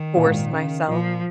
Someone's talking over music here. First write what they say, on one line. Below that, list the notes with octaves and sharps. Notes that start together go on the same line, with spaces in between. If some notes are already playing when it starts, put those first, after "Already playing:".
force myself.
Already playing: D#3
A#2
G#2
A#2
C#3
A#2 F3